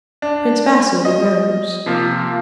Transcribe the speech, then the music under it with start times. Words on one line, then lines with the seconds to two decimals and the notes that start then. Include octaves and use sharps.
Prince Vasili rose.
0.22 D4
1.05 D#5
1.86 C3 F3 A#3 F4